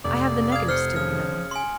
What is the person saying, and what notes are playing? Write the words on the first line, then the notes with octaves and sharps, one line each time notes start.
"I have the negative still, you know."
F1 D5
F5 D#6 G#6
C5 F6 C#7
C#3 F3 F6
G#5 C6